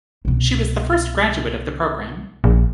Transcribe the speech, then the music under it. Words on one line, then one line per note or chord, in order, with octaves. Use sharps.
She was the first graduate of the program.
C2 B2
A#1